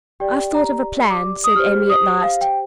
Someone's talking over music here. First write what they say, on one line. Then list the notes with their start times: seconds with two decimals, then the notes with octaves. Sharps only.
"I've thought of a plan," said Emmy at last.
0.20 G4 D5 G5
0.54 A#5
1.10 D6
1.44 D#6
1.56 G4 C5 F6
1.90 D#6
2.23 F5
2.41 G5